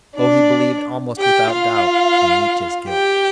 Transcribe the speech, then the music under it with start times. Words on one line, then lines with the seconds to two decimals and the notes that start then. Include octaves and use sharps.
Oh, he believed almost without doubt in Mitya's guilt.
0.17 D4 D5
1.18 G4 G5
1.52 F4 F5
2.89 G4 G5